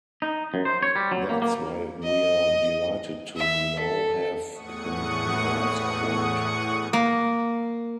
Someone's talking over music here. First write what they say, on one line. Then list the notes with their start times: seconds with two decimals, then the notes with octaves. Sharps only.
That's why we're delighted to now have him in our squad.
0.22 D#4
0.54 F#2
0.65 C5
0.83 C#5
0.96 G3
1.11 F#3
1.29 A#3
1.42 A#3
2.03 D#5
3.36 E5
3.79 A4
4.52 E2 A2 F#5 C#6 D#6 C#7
6.93 A#3